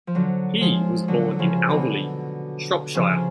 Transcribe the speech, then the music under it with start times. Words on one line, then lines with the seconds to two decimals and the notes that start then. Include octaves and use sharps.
He was born in Alveley, Shropshire.
0.07 F3
0.15 D3 F#3
0.61 F3 G#3
1.08 D3 F#3
1.39 C#3 F3
1.70 B2 D3
2.95 C#3 F3